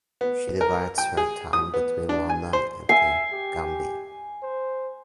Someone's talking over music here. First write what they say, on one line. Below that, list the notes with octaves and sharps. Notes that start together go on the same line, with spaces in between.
She divides her time between London and The Gambia.
B3
A#4
G5
G#4
D#6
B3
D4
G#5
C5
E5 G#5 C7
G4
C5